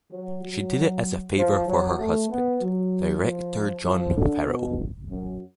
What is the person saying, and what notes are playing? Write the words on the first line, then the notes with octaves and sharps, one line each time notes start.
She did it as a favor for her husband, director John Farrow.
F#3
F#3
F3
F#3
A3
B3
F#3
F3
F3
D3
B2
F#2